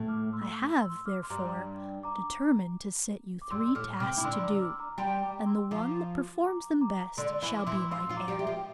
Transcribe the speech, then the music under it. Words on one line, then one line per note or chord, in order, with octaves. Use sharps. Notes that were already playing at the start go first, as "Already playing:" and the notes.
I have, therefore, determined to set you three tasks to do, and the one that performs them best shall be my heir.
Already playing: A2 A3
D6 F6
C6 E6
C6 E6
D6 F6
C6
G2 G3 A#5 D6
A#5 D6
D6
G2 G3 C6 E6
A2 A3 D6 F6
C3 C4 D6 F6
E4 D6
D3 D4 C6 E6
A#5 D6
E6
D6 F6
A#5 D6
G3 G4 A5 C6
A#5 D6
C6 E6
F3 F4 A#5 D6
A#5 D6
A#5 D6
D3 D4 C6 E6
E3 E4
D6
E3 E4 C6 E6
F3 F4 C6 E6
F3 F4
A#5 D6
G3 G4
G4 E5 G5
F3 F4
G5